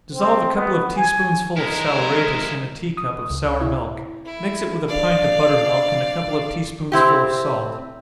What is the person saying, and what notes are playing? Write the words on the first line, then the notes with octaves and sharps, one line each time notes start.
Dissolve a couple of tea-spoonsful of saleratus in a tea-cup of sour milk--mix it with a pint of butter-milk, and a couple of tea-spoonsful of salt.
C4
B3
G#5
F3 G#3 D#4 E4 A#4
D#6
C#2
E4
E4
D4 D5 F5
C3 C4 E4 G4